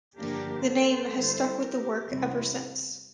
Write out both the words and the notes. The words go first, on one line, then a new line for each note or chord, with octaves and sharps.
The name has stuck with the work ever since.
G2 D3 F3 A#3 D4 G4 A#4
A4 C5
D3 G3 A#3 E4
G4 A#4
E2 C3 G3 C4 E4